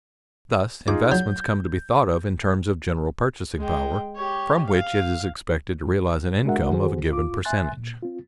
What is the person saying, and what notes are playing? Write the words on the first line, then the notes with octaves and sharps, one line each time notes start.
Thus investments come to be thought of in terms of general purchasing power, from which it is expected to realize an income of a given percentage.
D#4 F4 G#4 D6
F#3 G6
G#3 G5
G4 C#5
F5
G#3 D4 F#4 A#4 E5 F#5
D#3 F#4 G#4 A4 C5
G2 F4 D6
E5 G#5 C6 F#6 A6
A#2
C4 F4